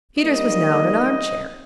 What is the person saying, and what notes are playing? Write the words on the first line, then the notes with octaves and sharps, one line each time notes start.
Peters was now in an arm-chair.
G3 A#3 D#4 D#5